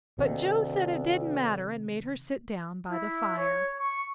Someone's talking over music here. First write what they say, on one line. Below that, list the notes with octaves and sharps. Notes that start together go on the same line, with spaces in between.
But Joe said it didn't matter and made her sit down by the fire.
D2 C3 D#3
E4
C#5
C#6